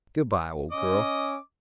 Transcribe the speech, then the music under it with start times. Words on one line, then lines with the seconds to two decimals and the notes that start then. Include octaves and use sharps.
'Goodbye, old girl.
0.72 C#4 D#5 D6